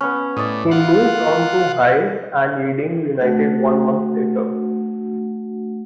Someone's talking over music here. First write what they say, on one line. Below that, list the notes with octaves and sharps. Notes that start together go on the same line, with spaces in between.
He moved on to Hayes and Yeading United one month later.
B3 C#4
A2 D5 D#5
F4 F#5
A3 D4 F#4 F#5